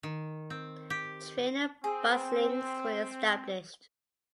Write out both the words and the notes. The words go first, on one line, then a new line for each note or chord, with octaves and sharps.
Train and bus links were established.
D#3
C4
G4
C4 G#4